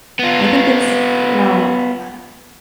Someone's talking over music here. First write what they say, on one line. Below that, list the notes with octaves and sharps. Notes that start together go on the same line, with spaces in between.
I think it's you know uh
B3 F4